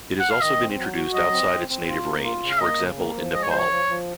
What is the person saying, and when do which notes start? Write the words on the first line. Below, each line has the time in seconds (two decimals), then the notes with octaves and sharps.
It has also been introduced outside its native range, for example in Nepal.
0.20 F#5
0.30 F5
0.41 D#3 D#5
0.59 C4
0.78 F#3
0.97 F#4
1.14 F#3 D#5
1.32 C4
1.51 C4
1.69 C4
1.87 F4
2.05 A#3
2.24 F4
2.43 C#3
2.51 F5
2.60 A#3 D#5
2.79 C#3
2.97 A#3
3.15 F3
3.33 G#3 D#5
3.42 C#5
3.50 F3 C5
3.58 C#5
3.70 F3
3.89 F3